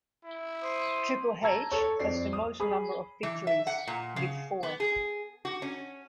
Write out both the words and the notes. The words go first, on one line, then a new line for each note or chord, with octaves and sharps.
Triple H has the most number of victories, with four.
E4
C5 D#6
A5 A#5 E6 G#6
A4 C#5
F2 D5 C7
D#6
G#4 B5 D#6
E3
E5
F#5
A#2
C#3
B3
G#4
F#4
C#4